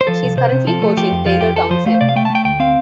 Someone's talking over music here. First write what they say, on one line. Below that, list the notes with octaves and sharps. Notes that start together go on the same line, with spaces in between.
She is currently coaching Taylor Townsend.
C5
F3 A4
C2
C3 C5
C3
F3 A4
A3
F3 G4
F2
F3 F4
F2 G4
F3 A4
F3 C5
A3 F5
C5
C3 D5
F5
A3 G5
A5
A3 G5
D2 G5
C4 F5